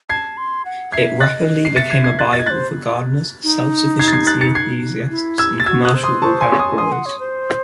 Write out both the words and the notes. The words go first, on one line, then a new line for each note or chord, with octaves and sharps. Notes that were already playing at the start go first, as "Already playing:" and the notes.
It rapidly became a bible for gardeners, self-sufficiency enthusiasts and commercial organic growers.
A5 G#6 C7
C6
F#5
E5 G#6 C7
D#5 F#6 A6
C7
D#5
E5 A6 C#7
G#6 C7
G#6 C7
F#6 A6
D#5 A6
G#6
C5 F#6 A6
D#4
G#6 C7
A6
G#6 C7
F#6 A6
A6 C#7
G#6 C7
E4
E6 G#6
A6
F#4 E6 G#6
D#6 F#6
C5
C6 D#6
C5 A5 C#6
G#5 C6
C#5
C6 D#6
G#5 C6 D#6
F#5
C#5
C5